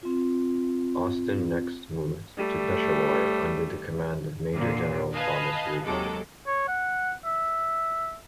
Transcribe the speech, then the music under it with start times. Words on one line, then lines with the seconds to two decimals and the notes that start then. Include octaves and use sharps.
Austen next moved to Peshawar under the command of Major General Thomas Reed.
0.03 C4 F4
2.37 G3 A3
4.53 A#2 D3 A#3
5.13 B4 D#5 F5 G#5 A5
5.85 D#2 C3 F#3 G#3 A4 D6
6.47 C#5
6.68 F#5
7.25 E5